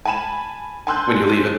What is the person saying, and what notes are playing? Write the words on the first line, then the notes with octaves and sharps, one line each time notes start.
when you leave it
G#5 A5 B5 D#7 E7
G#5 A5 C6 E6 F#6 G6